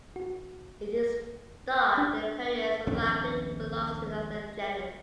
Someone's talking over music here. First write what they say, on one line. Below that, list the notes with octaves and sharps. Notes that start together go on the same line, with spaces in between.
It is dark in appearance and likely belongs to another genus.
F#4
D4
D#1 A#1 C4 D4